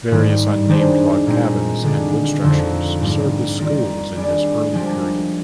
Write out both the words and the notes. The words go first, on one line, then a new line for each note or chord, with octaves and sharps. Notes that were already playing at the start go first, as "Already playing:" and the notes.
Various unnamed log cabins and wood structures served as schools in this early period.
G#2 D#3 G3
D#3 G3 D4 G#4 C5
A#2 G#3 C4 D#4
D3 G#3 D4
F2 D3 F3 C4 D#4
G#2 G3 A#3 D4
D#3 A#3 F4 A#4 D5
G3 D4 G#4 D5
F3 G#3 D4 G4 A#4